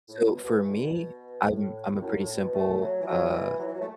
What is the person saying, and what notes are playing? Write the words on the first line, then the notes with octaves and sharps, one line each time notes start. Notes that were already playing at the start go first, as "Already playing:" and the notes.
So, for me, I'm I'm a pretty simple, uh,
A2
B2
B2
B2
E3
D3
B2
A2
A2
F#2
A2
B2
A3
F#3
E3
F#3
F#3
E3
F#3
E3
F#3
A3